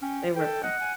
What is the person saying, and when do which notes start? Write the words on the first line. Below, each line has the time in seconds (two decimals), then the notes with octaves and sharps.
They were fun.
0.02 C#4 G5
0.36 A4 G5
0.63 D#5 F#5
0.80 G#5